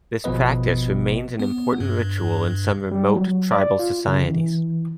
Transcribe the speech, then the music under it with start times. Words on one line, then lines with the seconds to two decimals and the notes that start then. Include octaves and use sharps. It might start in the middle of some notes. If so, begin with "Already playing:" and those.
This practice remains an important ritual in some remote, tribal societies.
0.24 G#1 B2 F3 B3 B4 D#5
1.40 B3
1.80 G2
2.92 G3
3.17 F#3
3.51 D5
3.79 F4
4.07 C#3
4.30 E3